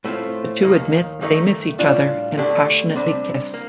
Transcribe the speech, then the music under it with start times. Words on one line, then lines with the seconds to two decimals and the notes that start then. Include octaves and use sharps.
The two admit that they miss each other and passionately kiss.
0.04 A2 A3 C4 F4
0.63 D#2 D#3 A#3
1.21 G2 D#3 A3 D#4
1.79 A2 G3 D4 F4
2.37 D2 D3 A3 D4 G4
2.95 C3 G3 D4
3.54 A#3